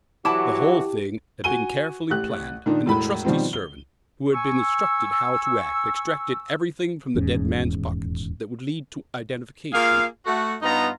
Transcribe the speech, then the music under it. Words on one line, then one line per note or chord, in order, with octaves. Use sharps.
The whole thing had been carefully planned, and the trusty servant, who had been instructed how to act, extracted everything from the dead man's pockets that would lead to identification.
E3 F#3 E4 F#4 G4 A5 D6
F#4 G#5 D#7 G7
A1 G4 F#6
A#2 D#3 D4 D#4
E1 A2 B5
B2 D#3 F3 G3 C4
G7
G#5 C#6 E6
D#1 E2 G#2 C#4
A#3 F4 G#4 F5
A3 F#4
G2 B3 D#4 F4 A#5